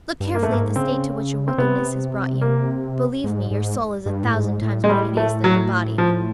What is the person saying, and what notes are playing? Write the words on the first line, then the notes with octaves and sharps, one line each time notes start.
"Look carefully at the state to which your wickedness has brought you; believe me, your soul is a thousand times more hideous than your body."
G2
A#3
A3
G#2 A#3
C#3 C4
C4
C3 B3
A#3
G#2
G#2
G2
A2
G#2
A2
G#3
G3
A3
F#3
F3